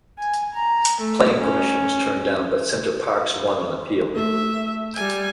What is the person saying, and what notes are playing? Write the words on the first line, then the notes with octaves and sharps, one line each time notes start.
Planning permission was turned down but Center Parcs won on appeal.
G#5
A#5
A3
C#4
A3 E5
G3 G#5